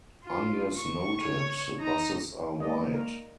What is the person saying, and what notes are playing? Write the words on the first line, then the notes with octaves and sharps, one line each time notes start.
Unless noted, buses are wide.
F4
C#6
C#5
D#4 A#5
G#3 A#3 D5 D#5
A#4